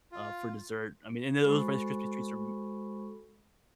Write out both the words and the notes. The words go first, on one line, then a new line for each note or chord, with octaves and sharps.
uh, for dessert, I mean and tho those Rice Krispie treats are m
F4
G#3 F#4 A4 C5 B5 C#6